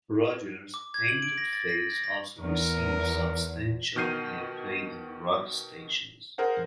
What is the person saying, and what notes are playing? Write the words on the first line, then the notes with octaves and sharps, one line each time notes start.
Rodgers' "Painted Face" also received substantial airplay on rock stations.
D6
G#6
F#7
D7
A#6
A6
A#6
A#6
A#6
E2 A#4
B2 D#3 F6 G6 C7 D#7
G#4 A#4 C5 F#5